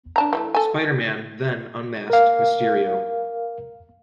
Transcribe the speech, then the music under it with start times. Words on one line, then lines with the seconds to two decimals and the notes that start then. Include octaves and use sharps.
Spider-Man then unmasked Mysterio.
0.16 D4 A5 A#5
0.33 E3 F#3 A3
0.55 A4 G#5
2.10 A#4 F5